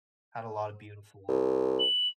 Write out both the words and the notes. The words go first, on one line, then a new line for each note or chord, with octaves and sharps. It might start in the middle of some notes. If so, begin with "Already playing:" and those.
had a lotta beautiful
C2
F#7